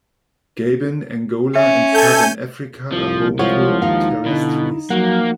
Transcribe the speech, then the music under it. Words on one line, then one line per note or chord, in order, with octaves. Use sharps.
Gabon, Angola, and southern Africa are home to "terrestris".
C#4 E5
A4 G#5 G6
C2 F3
F3 G#3 E4 F4 C5 C#5 F#5
D#2 D#4 F5
B2 D3 E4
F3 F#3 A#3 F#4 F#5